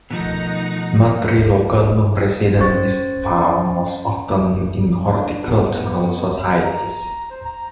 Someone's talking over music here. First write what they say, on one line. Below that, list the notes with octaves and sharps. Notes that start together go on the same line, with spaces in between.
Matrilocal residence is found most often in horticultural societies.
B2 D#3 F3 A3 D#4 F#5 A#5
C#4 C5 C#6 A6
D4
B3
A#5
C5
A#5